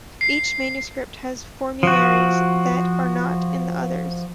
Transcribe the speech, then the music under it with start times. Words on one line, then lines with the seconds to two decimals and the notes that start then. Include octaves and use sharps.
Each manuscript has formularies that are not in the others.
0.21 C7
1.83 F3 F#4